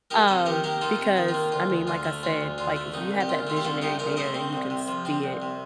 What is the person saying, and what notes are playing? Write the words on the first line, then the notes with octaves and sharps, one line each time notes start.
um, because I mean, like I said, like, if you have that visionary there and you can s see it,
D#4 G4 A#4
C3 A4 C5
D#3 G4 A#4
A#3 G4 A#4
D#4 F4 A4
C3
D#3
F4
A#3
D2 F4
D2
D3 F4
A3
D2 F4
D2
D3 F4
A3
C2 D#4
C2
G4
A#2 F4
A3 F4
G4
C2 F4 A4
C2 D#4 G4
A#2 A#4 D5
A3 C5 D#5
C4
C2
C3
F3
C4
C2
C3